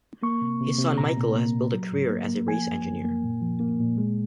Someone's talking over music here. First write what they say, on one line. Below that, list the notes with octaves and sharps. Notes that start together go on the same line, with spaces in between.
His son Michael has built a career as a race engineer.
A#3 C#6
C3
C3
C3
A#2 A#5
A#2
A#3
A#2
F#3
G#2
A#3
A#3
F3 G#5
F#2
F#2
A#3
A#2
F3
A#3
A#2
G#3